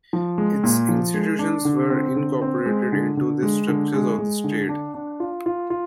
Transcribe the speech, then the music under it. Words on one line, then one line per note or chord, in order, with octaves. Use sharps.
Its institutions were incorporated into the structures of the state.
F3
G#3
A#2
F3
G#3
D4
D3
C4
D3
C4
G#3
D3
D3
G#3
D3
G#3
G#3
D3
D4
D4
F4
F4
F4